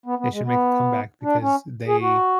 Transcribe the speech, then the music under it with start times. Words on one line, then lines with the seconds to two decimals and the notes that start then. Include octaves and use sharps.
they should make a comeback because they
0.06 B3
0.19 B3
0.32 G#3
0.46 B3
1.23 D4
1.42 C#4
1.87 G#4
2.01 F#4